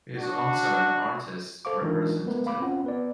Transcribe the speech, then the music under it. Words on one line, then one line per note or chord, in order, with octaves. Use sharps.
He is also an artists representative.
D4 F#4
A4 C5 F5 C#6 D6
E3 G#3 D4 D#4 F4 A#4
G#3 A3 B3 A#4 B4
F5 B5 D6
C4 C#4 F4 F#5
B3 B4 D5